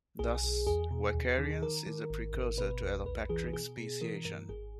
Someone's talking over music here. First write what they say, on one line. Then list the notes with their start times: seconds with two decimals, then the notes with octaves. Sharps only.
Thus vicariance is a precursor to allopatric speciation.
0.19 B1 G#4
0.43 B1
0.67 E2 G#4
0.91 B2
1.14 D#2
1.38 D#3
1.62 D#3 A#4
1.86 D#3
2.10 G#1
2.34 G#1
2.58 B2 B4
2.82 E2
3.05 A#1 B4
3.29 E3 G#4
3.53 B2 G#4
3.77 B2
4.01 E3 A#4
4.25 G2 A#4
4.49 G#1 G#4